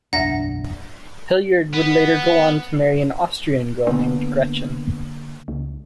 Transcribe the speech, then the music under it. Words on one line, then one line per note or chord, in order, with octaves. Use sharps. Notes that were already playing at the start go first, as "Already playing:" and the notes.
Hilliard would later go on to marry an Austrian girl named Gretchen.
F#1 B1 E2 D4 E5 F#5 A#5 A#6
B3
D3 A#3 B3 D4
C#2